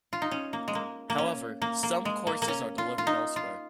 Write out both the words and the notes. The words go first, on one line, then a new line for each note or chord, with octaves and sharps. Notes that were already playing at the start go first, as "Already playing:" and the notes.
However, some courses are delivered elsewhere.
F4
D#4
C#4
A#3
G#3
A#3
A#3
C#4
A#3
A#3
G#3
A#3
A#3
C#4
F4
F4
D#4
F4